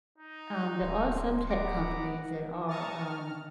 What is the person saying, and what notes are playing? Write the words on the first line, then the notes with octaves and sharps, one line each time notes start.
Um, there are some tech companies that are, um
D#4
D1 C6
B3 F#5 A#5 D6
A5 A#5 C#6 D#6 F6 A6
F6